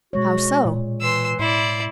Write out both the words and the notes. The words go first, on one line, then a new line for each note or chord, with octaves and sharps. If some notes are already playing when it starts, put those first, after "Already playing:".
"How so?"
B2 G#3 F#4 C#5
A#2
E3 C6 E6
A2 E4 D5 C6